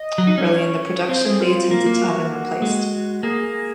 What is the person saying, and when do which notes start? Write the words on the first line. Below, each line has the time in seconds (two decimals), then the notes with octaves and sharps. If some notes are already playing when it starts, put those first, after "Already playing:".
Early in the production, they attempted to have him replaced.
Already playing: D#5
0.18 F#3
0.27 D#4
0.38 C#4
0.48 C#5
1.09 C4 C5
1.25 G#4
1.40 F4
1.71 A#3
1.86 A#3
2.01 F#4
2.62 G#3
3.23 A#3 G#4